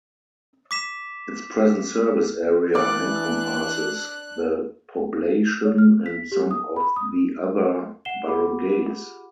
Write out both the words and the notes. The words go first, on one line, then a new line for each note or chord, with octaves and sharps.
Its present service area encompasses the poblacion and some of the other barangays.
D6 B6 E7
E3 D4 D5 F#6
C#5
F6
B6
G4
D#6
B5
D#6
F#5 C7 E7 G7
F4 G4 G#4 F#5 B5 D6